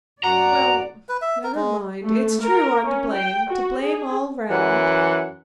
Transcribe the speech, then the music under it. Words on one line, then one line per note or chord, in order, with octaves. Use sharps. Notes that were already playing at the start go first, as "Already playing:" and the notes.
Well, never mind, it's true I'm to blame, to blame all round.
F#2 F#4 D5 F#5 A#5
B4
E5
A#4
G#3
A3
A#4
C#4
G5
F#4
G#4
F#2 E3 F#5